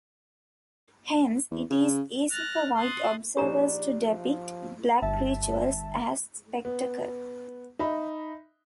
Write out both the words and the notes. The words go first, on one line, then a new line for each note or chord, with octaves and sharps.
Hence it is easy for white observers to depict black rituals as spectacle.
E2
C#3
F6 F#6 A6 A#6
C6 D#6 F#6 A6
A#1 D#4 G4 C5 D5 A#5
F3
G1 E5 A5
B3
D#4 E5 B5